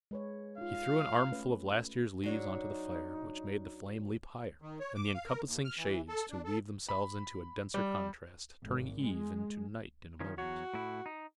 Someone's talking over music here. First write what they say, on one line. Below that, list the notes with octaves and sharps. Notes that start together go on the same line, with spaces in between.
He threw an armful of last year's leaves on to the fire, which made the flame leap higher, and the encompassing shades to weave themselves into a denser contrast, turning eve into night in a moment.
G#3 B4 C#5
D#4 F4 F5
A3 C#4 B4
F#3 D4 D#4 C#5
D#3
C#5
D6
F5
A#4
D#2
F6
E3
A4
D4
A4
B5
G3
G#1
G#3
D#3 F3 C#4
E2 F#3 F#4 C#5
A2 E4
D#4